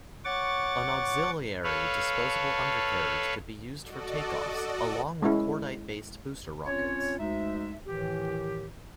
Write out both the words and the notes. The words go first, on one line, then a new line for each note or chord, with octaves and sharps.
An auxiliary disposable undercarriage could be used for takeoffs, along with cordite-based booster rockets.
C#5 F#5 C#6 D6 A6
A4 B4 C#5 F5
F#4 A4 D5 D#5
G#3 C#4 E4
C4 C#4 F4 C#5
D2 G#3 D#4 E5
A2 D#3 E3 G4